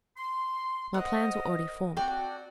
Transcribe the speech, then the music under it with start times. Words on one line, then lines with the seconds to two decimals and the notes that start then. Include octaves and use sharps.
My plans were already formed.
0.17 C6
0.94 A#4 C5 D#5 F#5
1.97 C4 F#4 D5 G5 A5